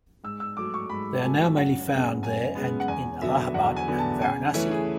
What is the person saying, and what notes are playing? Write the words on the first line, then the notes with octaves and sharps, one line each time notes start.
They are now mainly found there and in Allahabad and Varanasi.
G#2 E6
E6
F#3 A3 D6
C#6
G#2 B5
A5
F#3 A3 G#5
F#2 F#5
C#3 G#3 B3
F#2 G#5
C#3 G#3 B3
F#5
E2 G#5
D3 F#3 B3 E5
E2 F#5
G#5
D3 F#3 B3
A5
C#3 G#5
E3 A3 C#4 E4 B4
G#4